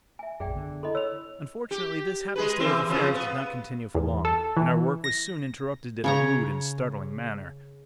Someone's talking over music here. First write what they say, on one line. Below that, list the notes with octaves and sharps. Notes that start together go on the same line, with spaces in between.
Unfortunately this happy state of affairs did not continue for long, and our work was soon interrupted in a rude and startling manner.
E5 G#5
A#1 F#2 G#4 D5 G5
D3 B3
E4 A4 D#5 B5 C6
C#5 E6 F7
G4
G#3 G#4 B4
E3 C4
F2 C#3 F3
B3
E2
A4
E3
A#6
C#3 C#5 A#5